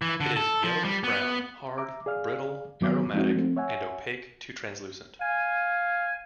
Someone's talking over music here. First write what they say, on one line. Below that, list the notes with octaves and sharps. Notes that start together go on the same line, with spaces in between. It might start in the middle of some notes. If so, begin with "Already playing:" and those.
It is yellowish-brown, hard, brittle, aromatic, and opaque to translucent.
E3
D3
A4
F3
G3
B3
E5 A#5 D6
G#4 D5 F5 F6
F#2 D#3 F#3 B3 D6
F3 G#3 C4 D#4 F#4
F3 A3 C4
C#5 E5 F#5 G#5
F5 G#5